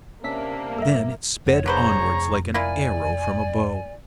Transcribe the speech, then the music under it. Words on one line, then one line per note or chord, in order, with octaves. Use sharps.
Then it sped onwards like an arrow from a bow.
C3 A#3 C#4 D4 E5 B6
G2 A#4 E5
F1 C#5 E5 F#5
D3 G#4 B4 C5 A#5 C#6
A#3 E4 F4 D5 G#5